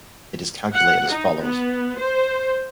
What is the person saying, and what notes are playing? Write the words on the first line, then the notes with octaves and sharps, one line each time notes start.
It is calculated as follows.
F#5
D#4
B3
C5